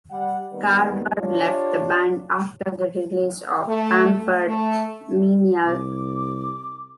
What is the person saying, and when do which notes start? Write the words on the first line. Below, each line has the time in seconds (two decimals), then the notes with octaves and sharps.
Carver left the band after the release of "Pampered Menial".
0.11 G3 F#5
0.53 D#3 G3 B3 B4
1.20 D4 F4 G4 C#5
3.66 A3
4.15 A3
4.45 A3
5.65 C2 D6